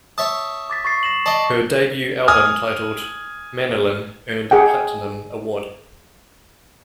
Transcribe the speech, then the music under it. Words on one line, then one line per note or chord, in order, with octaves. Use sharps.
Her debut album titled "Manilyn" earned a platinum award.
C#5 E5 A5 D#6
D6 A6 B6
C#6 A6 C7
A#6 E7 F#7
D5 D#5 A5 C#6
G#5 D#6 F6
G#4 F#5 G5